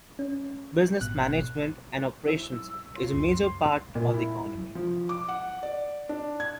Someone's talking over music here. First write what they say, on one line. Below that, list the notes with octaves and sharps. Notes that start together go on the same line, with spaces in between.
Business management and operations is a major part of the economy.
C#4
G#1 B2 F#6
E4 C5 E6
F4 C#5 C6
C#2 F#2
A#2
E4
F3
D6
F#5
D5
D4
G#6